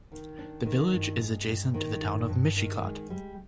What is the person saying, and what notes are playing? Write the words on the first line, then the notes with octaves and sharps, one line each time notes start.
The village is adjacent to the Town of Mishicot.
D#3
D4
D#3
G2
G#3
G2
D#3
G2
G2
D#3
G#3
G3